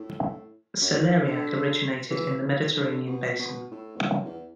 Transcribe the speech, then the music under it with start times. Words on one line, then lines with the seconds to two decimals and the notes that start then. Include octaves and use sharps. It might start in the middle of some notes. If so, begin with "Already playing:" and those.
Celeriac originated in the Mediterranean Basin.
Already playing: A2
0.81 F#2
1.03 A2
1.25 D3
2.10 E3
2.75 D3
3.07 B2
3.39 B2
3.71 A2
3.96 E2
4.04 F#2
4.25 E2